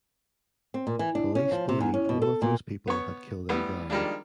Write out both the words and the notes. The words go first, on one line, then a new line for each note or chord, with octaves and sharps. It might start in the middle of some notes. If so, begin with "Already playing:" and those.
Police believed one of those people had killed Angara.
C4
A#2
E3
D4
C#4
F3
C3
E2
C#4
B2
A4
A#2
B3 C#5
A2 G3 B3
D#3 F3 G3 G#3 A#3 D4